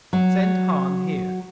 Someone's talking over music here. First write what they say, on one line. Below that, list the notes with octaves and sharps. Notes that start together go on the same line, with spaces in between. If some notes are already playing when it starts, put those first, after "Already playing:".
Send Hahn here.
F#3